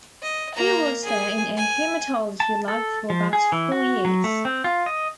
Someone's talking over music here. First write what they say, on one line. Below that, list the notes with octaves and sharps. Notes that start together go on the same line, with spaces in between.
He worked there in a hematology lab for about four years.
D#5
A#3 A#5
G#4 G#5
G#5
A5
A4
F3
G#4
E3
F#4
F#3
A3
C4
F4
D#5